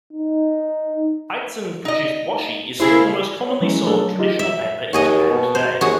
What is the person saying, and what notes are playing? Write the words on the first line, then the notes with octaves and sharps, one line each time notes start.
Echizen-produced Washi is still the most commonly sold traditional paper in Japan today.
D#4
D#4 D#5
C#3 E4 G#4 C5
C#5
E3 F#3 G#3 C#4 E4
F#3 A3 D4 G#4 A4
D#4 F4 G4 D#5
E5
D#2 F#4 G#4 D#5
B2
C5
D#2 F#4 G#4